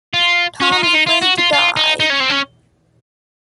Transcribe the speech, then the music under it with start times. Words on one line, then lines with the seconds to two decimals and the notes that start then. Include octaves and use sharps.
Tom is afraid to die.
0.14 F4
0.60 C#4
0.72 D#4
0.83 F4
0.95 D#4
1.07 F4
1.22 F#4
1.38 F4
1.53 F4
1.76 D#4
2.00 D#4
2.10 C#4
2.20 C4
2.30 C#4